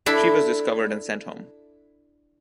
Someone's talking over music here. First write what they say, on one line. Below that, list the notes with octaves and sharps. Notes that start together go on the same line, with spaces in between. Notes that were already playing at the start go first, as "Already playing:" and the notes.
She was discovered and sent home.
D4 E4 A4 B5